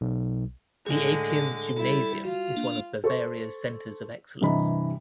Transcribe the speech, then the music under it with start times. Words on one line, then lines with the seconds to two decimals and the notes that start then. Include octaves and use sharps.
The Apian-Gymnasium is one of Bavaria's centres of excellence.
0.01 B1
0.87 A2 D3 G#3 G#4
1.30 A4
1.77 G3 E4
2.25 F4 F#4
2.57 A#3 D4
3.04 A4 C5 C#6
4.41 G2 C3 E3 D#5 A#5 B5